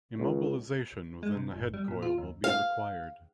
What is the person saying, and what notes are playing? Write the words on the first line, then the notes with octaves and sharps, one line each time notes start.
Immobilization within the head coil will be required.
C#2
G#3
C3
G1
G3
A#2
F4
D#2
F5